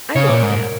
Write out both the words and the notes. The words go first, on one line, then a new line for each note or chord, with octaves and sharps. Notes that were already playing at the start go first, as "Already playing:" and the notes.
I love that
C#3 C#5
A#2
A#4
G#2
A#4